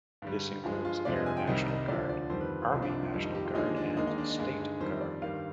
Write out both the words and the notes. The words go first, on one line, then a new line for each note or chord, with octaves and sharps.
This includes Air National Guard, Army National Guard, and State Guard.
G2 D3 G3
G2 F3 G#3
F4
F2 C3 F3 G#3 D5
D#5
G#5
G5
C2 C3 D#3 G3 D#5
D#5
D2 D3 F3 D5
D5
F2 D#3 G3 C5
B4
F4
C2 C3 F3 D#4
D4
D#4
F4
F2 D#3 G3 D#4
D#4
G4
F4
D#2 D3 F3 G#3 D#4
D4
D#2 D#3 G#3 D#4
D#4
D4
D#4
G2 D3 G#3
D#4
F2 D#3 G3 C5
C5
D5
G2 D#3 G3 F5